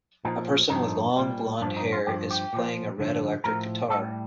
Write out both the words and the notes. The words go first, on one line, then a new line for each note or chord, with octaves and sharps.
A person with long blondhair is playing a red electric guitar.
A#2 F3 D#4
G2 F3 D#4
A#2 G3
G2 F3 D4
D#4
F4
G2 F3 G4
G4
A#2 F3
G2 D3 F3
A2 F3 A#4
A2 G3 A4